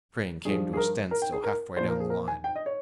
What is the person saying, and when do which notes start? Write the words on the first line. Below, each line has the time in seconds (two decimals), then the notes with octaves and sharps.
The crane came to a standstill half-way down the line.
0.45 G2 F3 G#4
0.73 G#4
0.77 A#4
1.11 A#4
1.22 G5
1.33 G#4
1.44 A#4
1.77 A#2 F3 C5
1.88 A#4
2.00 G#4
2.10 A#4
2.28 G#5
2.44 G5
2.55 D#5
2.66 C#5